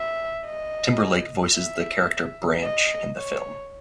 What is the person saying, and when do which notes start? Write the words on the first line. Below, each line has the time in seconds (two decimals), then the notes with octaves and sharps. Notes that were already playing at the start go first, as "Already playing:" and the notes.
Timberlake voices the character "Branch" in the film.
Already playing: E5
0.46 D#5
1.54 E5
2.63 D#5
3.17 C#5